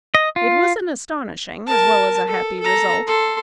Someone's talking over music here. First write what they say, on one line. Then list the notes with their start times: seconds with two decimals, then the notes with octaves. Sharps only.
It was an astonishing as well as a happy result.
0.15 D#5
0.36 F4
1.67 A#4 A5
2.27 A4
2.60 A4 A#5
3.07 A4 C6